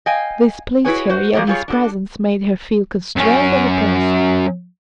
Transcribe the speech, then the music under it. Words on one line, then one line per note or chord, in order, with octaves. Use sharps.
This pleased her, yet his presence made her feel constrained and oppressed.
D#5 F5 G5 G#5
E4 F#4 G#4 B4 C#5 G#5
F#4 C5
F3 A#3 F#4 G#4 A#4 D5
G3 F4 G#4 B4 C#5
D4 F#4 G4 A4
F#2 C#4